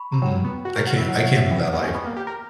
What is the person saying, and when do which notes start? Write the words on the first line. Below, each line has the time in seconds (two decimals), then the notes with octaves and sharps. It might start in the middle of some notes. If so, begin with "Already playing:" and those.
Mm-mm, I can't I can't live that life.
Already playing: B5 C#6
0.12 A#5
0.22 F#3 G5
0.44 B3
0.65 F#4
0.76 A#4
0.87 F#4
0.97 E4
1.08 F#3 F#5
1.19 E5
1.30 C#5
1.41 E5
1.51 E3 G5
1.62 F#3
1.73 B3
1.83 C#4
1.95 B3
2.05 A#3
2.17 G4
2.27 A#4